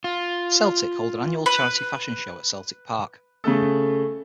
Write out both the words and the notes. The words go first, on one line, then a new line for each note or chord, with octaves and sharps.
Celtic hold an annual charity fashion show at Celtic Park.
F4
B4
C#3 A3 A4